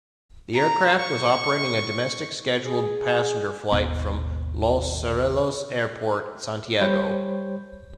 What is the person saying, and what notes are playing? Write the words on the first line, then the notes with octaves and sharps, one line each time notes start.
The aircraft was operating a domestic scheduled passenger flight from Los Cerrillos Airport, Santiago.
A#5
C#6
G#4
G#1 D#2 B2 B3
G3 G4 C5 C#5 B5 G6